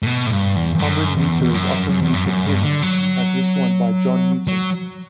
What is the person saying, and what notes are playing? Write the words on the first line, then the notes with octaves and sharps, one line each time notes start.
Common metre is often used in hymns, like this one by John Newton.
A2
B2
A2
G2
E2
E2
F#2
E2
E2
F#2
F#2
E2
F#2
F#2
G2
D3
F#3
F#3